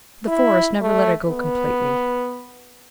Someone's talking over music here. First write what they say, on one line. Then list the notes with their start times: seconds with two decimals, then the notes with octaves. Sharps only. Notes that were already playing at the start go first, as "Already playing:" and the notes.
The Forest never let her go completely.
0.27 E4
0.81 A3
1.29 B3